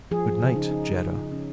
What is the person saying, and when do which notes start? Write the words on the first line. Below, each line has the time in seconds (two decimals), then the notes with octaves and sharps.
"Good night--Jetta."
0.11 F3 G#4
0.27 F3
0.42 C#3
0.56 D#4
0.71 D#4
0.87 F3
1.01 C#3
1.17 C#3
1.32 C#4